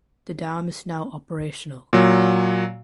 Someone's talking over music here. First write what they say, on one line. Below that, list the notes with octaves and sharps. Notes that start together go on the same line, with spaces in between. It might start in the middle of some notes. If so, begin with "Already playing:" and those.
The dam is now operational.
A#2 F#3